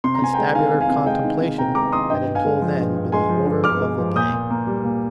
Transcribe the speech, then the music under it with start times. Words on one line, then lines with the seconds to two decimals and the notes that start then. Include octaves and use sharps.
Constabular contemplation had until then been the order of the day.
0.04 C3 C6
0.15 A#5
0.22 C3 G#5
0.34 G#3 G5 A#5
0.55 D#3 F5 G#5
0.73 C3
0.81 F5 G#5
0.90 C3
1.06 G#3 D#5 G5
1.25 D#3
1.41 C3
1.58 C3 G5 A#5
1.75 G#3 A#5 D6
1.92 D#3 C6 D#6
2.10 G2 D#5 G5
2.26 G2
2.35 F5 G#5
2.45 G#3
2.62 F3
2.79 G2
2.95 G2
3.12 G#3 G#5 C6
3.29 F3
3.47 G2
3.64 G2 D6 F6
3.81 G#3
3.98 F3
4.16 A#2 D#6 G6
4.33 A#2
4.50 A#3
4.67 G3
4.85 A#2